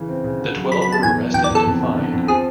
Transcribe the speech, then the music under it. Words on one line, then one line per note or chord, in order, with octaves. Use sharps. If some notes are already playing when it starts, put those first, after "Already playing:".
The twelve were arrested and fined.
Already playing: C#3 E3
C4
C#3
D3
F#3
F#3 B5
B5
B3
A5
E2 G#5
F#3
E2 G5
D5
E2 A4
F2
D3
D3
F2
F3 G#4